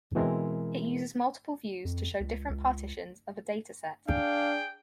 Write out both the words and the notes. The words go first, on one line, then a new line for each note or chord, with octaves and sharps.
It uses multiple views to show different partitions of a dataset.
B2 E3 G#3 C4 E4 A#4
F2
C#2
C#2
D4 G#4 F5 G5